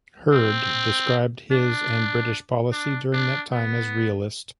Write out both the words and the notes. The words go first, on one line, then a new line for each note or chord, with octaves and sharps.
Hurd described his and British policy during that time as 'realist'.
C4
D4
D4
D4
B3